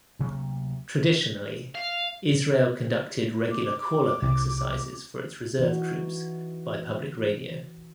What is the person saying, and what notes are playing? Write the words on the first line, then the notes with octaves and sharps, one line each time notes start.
Traditionally, Israel conducted regular call-up exercises for its reserve troops by public radio.
D2 C3 F#3 A#3
F5
D6
C2
E3 D#4 F#4